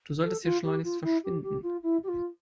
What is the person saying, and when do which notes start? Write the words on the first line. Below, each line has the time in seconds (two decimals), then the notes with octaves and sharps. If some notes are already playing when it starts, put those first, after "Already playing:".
Du solltest hier schleunigst verschwinden.
0.23 A4
0.44 F4
0.64 G4
0.84 F4
1.03 E4
1.24 G4
1.43 G4
1.63 F4
1.83 E4
2.04 G4
2.08 F4